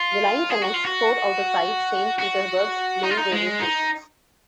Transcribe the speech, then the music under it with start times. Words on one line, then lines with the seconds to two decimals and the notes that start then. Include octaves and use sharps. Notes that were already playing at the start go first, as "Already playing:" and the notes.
The line connects four out of five Saint Petersburg's main railway stations.
Already playing: F4
0.50 G#4
0.62 F#4
0.74 F4
0.85 F#4
2.19 F#4
3.03 D#4
3.10 F4
3.18 D#4
3.32 G#3
3.60 D#4